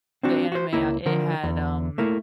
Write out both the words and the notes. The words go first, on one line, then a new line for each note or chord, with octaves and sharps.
the anime, uh, it had, um
C4 D4 F#4
F#4 C5
C#2 A#3 E4
D3 F3 A#4
E2
A3 A#3 E4